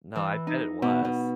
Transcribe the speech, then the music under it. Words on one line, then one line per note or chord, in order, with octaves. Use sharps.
No, I bet it was.
E3
D#4
B2
B2